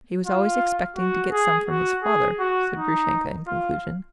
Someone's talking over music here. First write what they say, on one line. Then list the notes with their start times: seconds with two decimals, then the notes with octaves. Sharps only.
"He was always expecting to get some from his father," said Grushenka in conclusion.
0.26 F4
0.97 F#4
1.32 G#4
1.68 F#4
2.03 G#4
2.40 F#4
2.75 D#4
3.47 F4